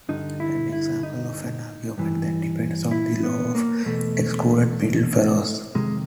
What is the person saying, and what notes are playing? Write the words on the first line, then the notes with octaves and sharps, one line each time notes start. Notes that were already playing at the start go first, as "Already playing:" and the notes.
An example of an argument that depends on the law of excluded middle follows.
G2 D3 D#4
E4
E4
D#4
G2 E3
E4
B3
A#3
E2 B2 A3
F2 C3 D#3 G#3